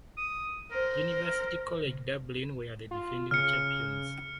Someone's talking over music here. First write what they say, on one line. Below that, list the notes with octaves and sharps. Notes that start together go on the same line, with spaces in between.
University College Dublin were the defending champions.
D#6
A#4 C5
F4
C#3 F6 C#7